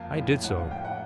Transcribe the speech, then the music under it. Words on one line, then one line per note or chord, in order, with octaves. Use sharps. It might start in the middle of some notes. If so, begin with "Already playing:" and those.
I did so.
Already playing: F2 A#3 F5
A2
A2 F#5
F5
A2 G5
F#5